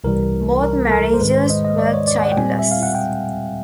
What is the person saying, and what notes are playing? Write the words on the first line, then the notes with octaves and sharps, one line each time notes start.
Both marriages were childless.
C2 C3 E3 G3 A#4
A#4
A4
A#4
C5
G#2 D#3 G#3 B4
C5
D#5
D#5
D5
C#5
D5
F#5
G5
A#2 G3 C4 G#5
E5
F5
F#5
G5